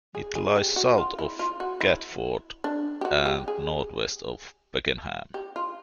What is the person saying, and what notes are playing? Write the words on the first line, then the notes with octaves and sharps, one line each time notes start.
It lies south of Catford and north west of Beckenham.
G#4
G#4
G4
F#4
F4
E4
F4
F#4
E4
D4
G4
F#4
G4
G#4
G4
F4